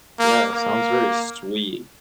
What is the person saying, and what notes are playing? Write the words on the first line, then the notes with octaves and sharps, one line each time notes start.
Yeah, it sounds very sweet.
A#3
A#3